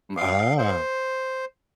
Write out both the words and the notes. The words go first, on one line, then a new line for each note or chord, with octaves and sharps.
M ah.
F5
C5